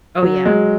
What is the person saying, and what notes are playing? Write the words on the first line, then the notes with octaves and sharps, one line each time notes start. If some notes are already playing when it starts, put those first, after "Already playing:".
Oh, yeah.
F#3
G#3